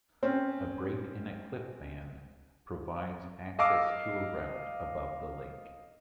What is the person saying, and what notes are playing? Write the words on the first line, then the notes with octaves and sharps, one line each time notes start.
A break in a cliff band provides access to a route above the lake.
C4 C#4
D#5 F5 D6 E6